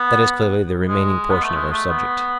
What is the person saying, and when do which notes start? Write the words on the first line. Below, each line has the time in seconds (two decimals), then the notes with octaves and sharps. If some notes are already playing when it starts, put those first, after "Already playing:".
That is clearly the remaining portion of our subject.
Already playing: B3
0.88 G#3
1.30 B3
1.43 A3
1.55 G#3
1.72 A3
1.89 B3